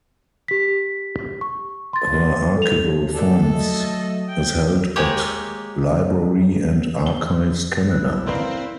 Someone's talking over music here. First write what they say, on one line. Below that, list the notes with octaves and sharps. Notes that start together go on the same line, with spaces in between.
Her archival fonds is held at Library and Archives Canada.
G4 B6
C#6
C6 A6
A4 F7
D4 A4
F#3 A3 D#5
G5
G#3 A#3 G4 C#5
G7
E4 F#6
C4 A#4 B4 D5 F5 C6